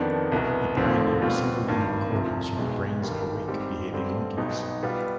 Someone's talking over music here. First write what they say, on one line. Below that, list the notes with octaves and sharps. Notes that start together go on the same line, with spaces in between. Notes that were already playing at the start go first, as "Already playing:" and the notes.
He pioneered single-unit recordings from the brains of awake, behaving monkeys.
Already playing: F2 D#3 B3 D4
C2 B2 B3
F1 D#2 D3 F3 C4
B2 G3 C4 F4
G#1 G2 D#3
C2 C3 F3
B1 B2 G#3
G1 G2 D#3 G3
G#2 G3 C4 G4
G2 D3 G3 C4
B1 B2 B3 D#4 G4
B2 G3 B3 F4